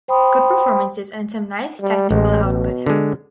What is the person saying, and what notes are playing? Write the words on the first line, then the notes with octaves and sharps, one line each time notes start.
Good performances and some nice technical output help.
C5 G5 B5 C6 D#6
G3
A1 G#3
B2
D3 G#3